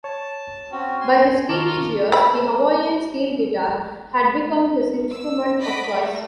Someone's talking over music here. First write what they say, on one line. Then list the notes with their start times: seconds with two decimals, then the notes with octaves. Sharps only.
By his teenage years the Hawaiian steel guitar had become his instrument of choice.
0.04 C#5 A5
0.72 C4 C#4 F#4
1.01 G#5 C6
1.49 D#3 F4 A5 A#5 C#6 D6
2.12 A3 B5
5.13 E6
5.61 D5 D#5 F#5 B5 B6 D7
5.91 A3 A#3